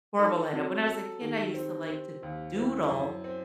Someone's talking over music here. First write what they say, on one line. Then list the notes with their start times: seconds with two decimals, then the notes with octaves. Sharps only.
horrible at it. When I was a kid, I used to like to doodle,
0.19 D#4 A4
0.53 F#3 C4
0.87 A4
1.21 D#3 G4
1.54 C4
1.89 C4
2.23 D#2
2.56 C4 E4
2.90 F#2
3.24 C4